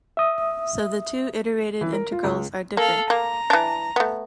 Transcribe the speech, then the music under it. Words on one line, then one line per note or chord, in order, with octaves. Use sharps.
So the two iterated integrals are different.
E5 D#6
E3
A#4
F4
C#2
A#3 A4 F5
A#3 A#5
E3 D4
A3 B3